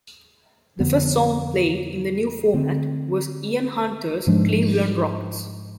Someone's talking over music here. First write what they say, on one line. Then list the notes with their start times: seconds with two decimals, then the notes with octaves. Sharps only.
The first song played in the new format was Ian Hunter's "Cleveland Rocks".
0.80 F2 D3 F3 B3
2.54 D3 A3 C4
4.27 G#2 F3 G#3 D4